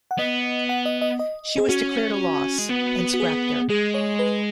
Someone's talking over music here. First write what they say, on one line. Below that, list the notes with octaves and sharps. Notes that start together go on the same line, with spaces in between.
She was declared a loss and scrapped there.
F#5
B3 D#5
F#5
D#5
D#5
D#5
G#4
C#4 F#4
G#3
B3
F#4
G#4
G#3 G#4
C#5
B4